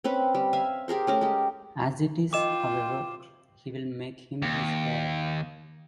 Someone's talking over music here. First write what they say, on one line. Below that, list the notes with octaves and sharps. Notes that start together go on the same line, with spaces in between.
As it is, however, he will make him his heir.
C4 C#4 B4
G3
E5 F5 G#5
G4 G#4 A#4 C5
A3 C#4 A#4
G#3 G4
F4 A#4 D#5 G5 D6 E7
D#2